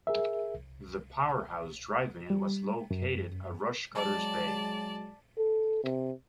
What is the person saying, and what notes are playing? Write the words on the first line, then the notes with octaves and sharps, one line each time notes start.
The powerhouse driving it was located at Rushcutters Bay.
G#4 A#4 E5
C2
G3
F#2
F#3 G#3 D5 A5
A4
C3